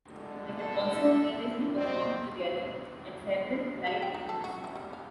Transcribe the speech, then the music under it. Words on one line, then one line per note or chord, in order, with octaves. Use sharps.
They have also previously performed together at several live events.
D3 G#3
A4
E5
C4 F#4 D5 D#5
C#5
G5
D#4
A4
F#4
E3
G3
F5